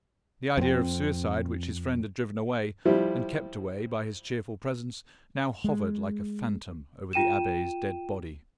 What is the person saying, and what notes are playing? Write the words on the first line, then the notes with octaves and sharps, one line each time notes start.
The idea of suicide, which his friend had driven away and kept away by his cheerful presence, now hovered like a phantom over the abbe's dead body.
F2 A#3 C4
F3 G3 E4
G#3
F4 G5 D#7 E7